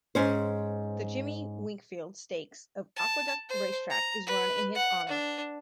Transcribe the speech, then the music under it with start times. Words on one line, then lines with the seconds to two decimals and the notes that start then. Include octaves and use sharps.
The Jimmy Winkfield Stakes at Aqueduct Racetrack is run in his honor.
0.15 G#2 C#4 C5
2.96 A5
3.49 C5
3.90 A#5
4.27 B4
4.75 F#5
5.09 D4